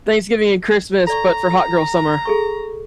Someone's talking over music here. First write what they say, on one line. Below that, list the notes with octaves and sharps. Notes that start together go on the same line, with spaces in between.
Thanksgiving and Christmas, but for hot girl summer.
A4 D5 A#5 C#6
G#4 A4 C#6